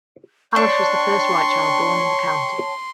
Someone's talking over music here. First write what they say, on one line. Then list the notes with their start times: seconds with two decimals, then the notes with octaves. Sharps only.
Alice was the first white child born in the county.
0.56 D4 C#5 G5 A5 C6 C#6